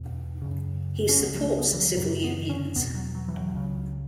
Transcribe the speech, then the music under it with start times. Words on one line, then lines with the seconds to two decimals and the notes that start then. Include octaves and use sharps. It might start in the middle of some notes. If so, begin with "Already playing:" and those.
He supports civil unions.
Already playing: E2 B2
0.42 F#2 C#3
1.09 C#4
1.19 C#2 C#3 B3
1.34 F#3
1.39 A3
1.59 B3
1.73 E3
1.78 F#3
1.97 F#2 C#3 F#3
2.24 B3
2.49 C#4
2.76 E2 B2 B3
2.95 F#3
3.15 F#3
3.28 E3
3.34 F#3
3.54 C#2 C#3